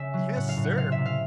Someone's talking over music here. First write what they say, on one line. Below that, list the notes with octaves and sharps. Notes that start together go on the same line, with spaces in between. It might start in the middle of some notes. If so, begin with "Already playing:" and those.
"Yes, sir."
Already playing: C#3 E5
F#3
A2 F#5
F5
A2
F#5
C3 F5
E5
C3
F5